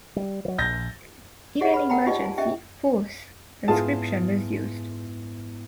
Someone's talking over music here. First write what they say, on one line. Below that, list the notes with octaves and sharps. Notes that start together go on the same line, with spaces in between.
In an emergency forced conscription was used.
G3
E3 F#3
A#1 G6 A6 A#6
G4 G#4 C#5 D#5 F#5
B4 C#5 B5
A#4 F#5 G5 A#5 B5
D#4 F4 G4 D5 D#5 A5
G#5 A5
C#4 G4 D#5 E5 G5
G#2 B3 E4 F4 G#4 A5